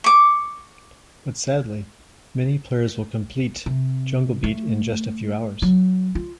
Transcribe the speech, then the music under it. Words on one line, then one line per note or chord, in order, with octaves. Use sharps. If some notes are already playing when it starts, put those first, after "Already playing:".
But sadly, many players will complete "Jungle Beat" in just a few hours.
C#6 D6
C3
A3
F#3
F4